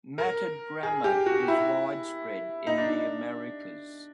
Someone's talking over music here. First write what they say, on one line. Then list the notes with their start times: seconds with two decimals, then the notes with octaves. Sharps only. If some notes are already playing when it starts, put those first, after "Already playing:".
Matted grama is widespread in the Americas.
0.18 A#4
0.83 G#4
1.04 G4
1.26 F#4
1.48 E4
2.67 D#4
2.78 D4